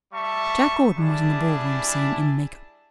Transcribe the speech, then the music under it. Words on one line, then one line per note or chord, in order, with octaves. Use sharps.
Jack Gordon was in the ballroom scene in make-up.
G3 E5 A5 C#6
G3 D4 E4 G#4 A5